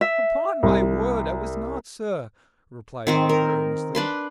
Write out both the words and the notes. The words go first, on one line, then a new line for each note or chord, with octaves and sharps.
'Upon my word I was not, sir,' replied Oliver, earnestly.
E5
C2
D#3 C4 C5
A#4
D4 B4 C6